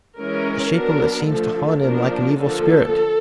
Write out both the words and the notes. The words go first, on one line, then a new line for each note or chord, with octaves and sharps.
The shape of it seems to haunt him like an evil spirit.
E3 G#3 C#4 A#4
F#3 B3 D4 A#4
D3 F3 A3 A4
F3 A#3 D4 A#4
D3 F3 A#3 A4